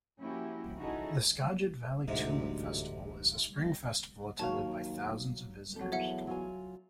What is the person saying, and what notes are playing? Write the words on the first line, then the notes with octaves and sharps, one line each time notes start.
The Skagit Valley Tulip Festival is a spring festival attended by thousands of visitors.
F3 A#3 C#4 E4 F#4 G4
C#4 D#4 E4 F#4 G#4 A4
D1 A1 D2 G#2 C3 G#3
D#2 F#3 C#5 F5 A5
F2 F#3 A4
E2 C#5 E5 F#5
F#3 F4 G#5